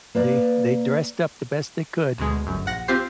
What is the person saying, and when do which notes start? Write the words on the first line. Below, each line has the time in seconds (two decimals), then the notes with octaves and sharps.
They they dressed up the best they could.
0.15 A#3 B4 D5
2.18 D2 B2 G#3
2.47 G1 F#2
2.66 A#1 F#5 A#6
2.88 C4 F4 G4 C5 C7